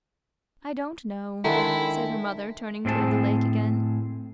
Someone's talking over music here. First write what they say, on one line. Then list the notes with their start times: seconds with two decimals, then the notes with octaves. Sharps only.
"I don't know," said her mother, turning toward the lake again.
1.44 D3 D#3 G#3 E4
2.85 A2 C4 D4 G#4 A5